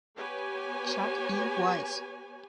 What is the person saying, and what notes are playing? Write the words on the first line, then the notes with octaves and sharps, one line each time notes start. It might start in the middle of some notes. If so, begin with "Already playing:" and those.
Chuck E. Weiss.
B3 G4 B4 C#5 G#5